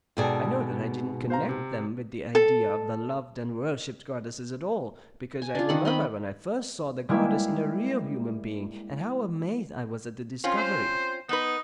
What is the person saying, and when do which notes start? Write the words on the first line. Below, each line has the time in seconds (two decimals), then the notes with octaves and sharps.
I know that I didn't connect them with the idea of the loved and worshipped goddesses at all, because I remember when I first saw the goddess in a real human being and how amazed I was at the discovery....
0.17 G#2 B2 G#4 A4 D5 G5
1.30 C5 F5 A#5
1.49 C3
2.35 A4
5.42 G#5
5.55 D4 F4
5.69 D#3 F#5 B5
5.85 C4 D#5 B5
7.09 G3 G#3 A#3 E4
10.44 C4 C#4 F4
10.57 C5
11.29 B3 D#4 B4